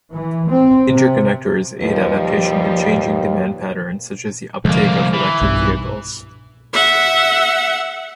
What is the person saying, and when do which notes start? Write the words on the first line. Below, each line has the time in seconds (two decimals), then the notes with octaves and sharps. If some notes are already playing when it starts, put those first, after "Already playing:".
Interconnectors aid adaptation to changing demand patterns such as the uptake of electric vehicles.
0.11 E3
0.49 C4
0.90 C3
1.81 D#2 F3 G3 B4
4.65 C2 D3 F3 G#3 A#3
5.13 E3
5.41 B1 G2
6.73 E5 F#5